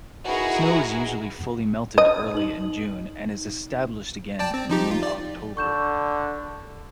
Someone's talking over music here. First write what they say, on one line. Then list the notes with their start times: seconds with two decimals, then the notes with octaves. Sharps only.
Snow is usually fully melted early in June and is established again in mid-October.
0.25 D#4 E4 F#4 G#4 A#4 B4
1.98 D#5
2.35 D#4 F#7
4.39 D5 G5 A5
4.54 C4
4.70 F3 D#4 G4
4.91 F4
5.03 D5
5.57 D3 C#6 G6 E7